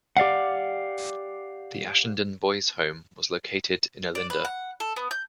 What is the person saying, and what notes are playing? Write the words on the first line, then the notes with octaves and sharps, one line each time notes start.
The Ashendene Boys Home was located in Olinda.
G4 D5 F5 F#5
D5
B4
F#5
A4
B3
G6